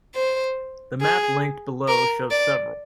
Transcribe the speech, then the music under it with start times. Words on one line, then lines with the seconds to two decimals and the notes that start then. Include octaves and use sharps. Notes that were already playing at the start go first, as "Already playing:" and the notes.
The map linked below shows several.
0.15 C5
1.01 G#4
1.88 A#4
2.31 D5